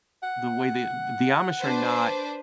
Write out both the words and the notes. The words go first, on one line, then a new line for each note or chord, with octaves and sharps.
the way they the Amish are not
F#5
D4 B4 C5